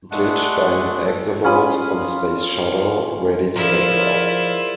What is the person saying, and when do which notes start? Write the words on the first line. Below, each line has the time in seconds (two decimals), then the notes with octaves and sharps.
Glitch finds Exavolt on a space shuttle ready to take off.
0.11 G#3 A3 D4 F#5
1.44 C#4 F4 B5 D#6
3.56 F3 E4 F4 G#4 A#4 D5